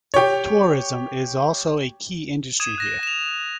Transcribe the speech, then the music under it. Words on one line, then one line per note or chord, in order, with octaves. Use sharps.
Tourism is also a key industry here.
G4 C#5
D#6 G#6 D#7 E7
F#6 A#6 E7
E7 F7